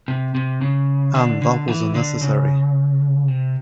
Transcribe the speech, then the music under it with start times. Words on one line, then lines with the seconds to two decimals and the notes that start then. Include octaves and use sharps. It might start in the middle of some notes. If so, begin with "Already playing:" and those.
Ann, that was unnecessary!
0.08 C3
0.35 C3
0.61 C#3
1.15 D3
1.42 D3
1.68 E3
1.95 D3
2.21 C#3
3.28 C3